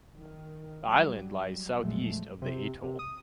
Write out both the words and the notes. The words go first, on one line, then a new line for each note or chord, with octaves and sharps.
The island lies the south east of the atoll.
D#3
F#3 G3
A#1 F2 A#2 F#3 G#3 A3
C3
C3
D#6